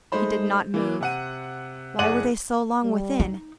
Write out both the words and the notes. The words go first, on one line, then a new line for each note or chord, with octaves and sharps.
He did not move. Why were they so long within?
G#3 A3 D#4 C5 B5
E3 A#3
C3 F#5 D#7
F#1 G#4 D5 F#5 D#7 F#7
G3
D#4